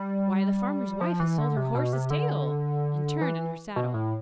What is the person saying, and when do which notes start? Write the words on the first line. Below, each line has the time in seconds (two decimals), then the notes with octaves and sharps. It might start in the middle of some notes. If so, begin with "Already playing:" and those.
'Why, the farmer's wife has sold her horse's tail!' and turned in her saddle.
Already playing: G3
1.01 F3
1.20 E3
1.38 D3
1.57 C3
1.75 B2
1.93 C3
2.10 D3
3.21 E3
3.76 B2
3.94 A2